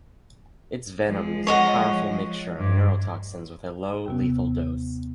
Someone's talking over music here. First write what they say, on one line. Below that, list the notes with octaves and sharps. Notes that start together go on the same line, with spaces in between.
Its venom is a powerful mixture of neurotoxins, with a low lethal dose.
F3 G#3
C#5 D#5 F#5
G2
D#2 C3 B3